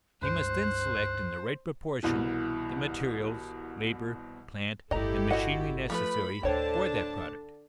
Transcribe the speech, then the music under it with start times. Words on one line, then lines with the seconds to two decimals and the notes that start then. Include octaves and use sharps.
He must then select in the right proportion the materials, labor, plant, and machinery necessary for that product.
0.22 C#2 G2 C5 F#6
2.03 C2 B2 E3
4.91 G1 A2 E4 G4 A4 D#5 A#5
5.31 F#4 D#5 F#5
5.90 F3 A3 B4 B5
6.43 D2 A2 D3 D4 C5 C#5 G5 A5